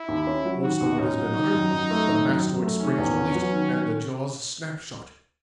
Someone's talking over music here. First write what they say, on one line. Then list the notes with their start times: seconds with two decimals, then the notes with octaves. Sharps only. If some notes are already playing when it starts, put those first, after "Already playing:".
Once the word has been uttered, the mastoid spring is released, and the jaws snap shut.
Already playing: E4
0.08 D#2
0.27 C#4
0.45 F#3
0.62 D#3 F#4
0.81 D#2
0.99 C#4 D#4
1.17 F#3
1.35 D#3
1.53 F#2
1.71 F#2
1.90 A3
2.08 D#3
2.27 F#2
2.44 F#2
2.62 A3
2.80 D#3 C#4
2.98 E2
3.17 B3
3.35 F#3
3.53 D#3